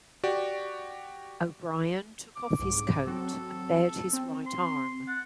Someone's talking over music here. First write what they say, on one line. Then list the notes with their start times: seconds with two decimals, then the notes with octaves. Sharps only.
O'Brien took off his coat and bared his right arm.
0.24 F#4 G4 D5
2.36 D6
2.59 C2 G#2
3.06 F#3 C4 F#4 A4
4.13 C4
4.47 C6
5.07 F#5 A6